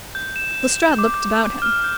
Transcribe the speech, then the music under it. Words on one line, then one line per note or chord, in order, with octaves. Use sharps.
Lestrade looked about him.
G6
E7
D6
F6
G6